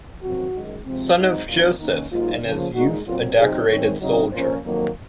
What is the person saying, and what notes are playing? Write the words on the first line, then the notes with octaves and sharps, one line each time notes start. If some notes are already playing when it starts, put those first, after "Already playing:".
Son of Joseph, in his youth a decorated soldier.
F2 C3 D#3 F#3 C4 F#4
F#2 D#3 G#3 D#4
C3 F3 G#3 C4
G#2 F#3 C4 D#4
A#2 F#3 C4 D#4 F4
D#3 A#3 C#4 D#4
G#2 F#3 A#3 D#4 F4
C#3 F3 A#3
A#2 G#3 D#4 F#4
A#2 F#3 C4 F4
C3 F#3 C4 D#4 G#4
F#2 D#3 G#3 C4 C#5
C#3 F#3 C4 D#4
A#2 F3 A#3 C#4 C5
F2 D#3 F#3 A#3